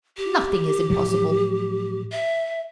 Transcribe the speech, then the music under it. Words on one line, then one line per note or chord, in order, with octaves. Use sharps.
Nothing is impossible.
G4
A2 F3 F#3
E5